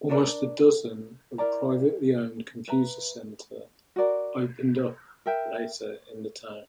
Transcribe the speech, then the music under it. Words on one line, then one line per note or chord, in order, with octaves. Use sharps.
Almost a dozen of privately owned Computer Centre opened up later in the town.
D4 A#4 D5
E4 A#4 D5 A#5
B4 E5 A#5
F#4 A#4 D5
A#4 E5 G5